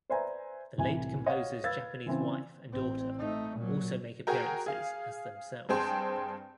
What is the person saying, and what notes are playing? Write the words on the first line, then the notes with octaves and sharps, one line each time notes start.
The late composer's Japanese wife and daughter also make appearances as themselves.
B4 C5 D5 E5 G#5 A#5
C2 A2 E3 G#5
C#5 D#5 F5 F#5
B4 F5 E6 G#6 A6
C#3 E3 C4
A1 C4
A3 D#4
A#2 F#3
F#4 G#4 A#4 G5
G#4 F5
G2 C4 G#4 G5 A5 C6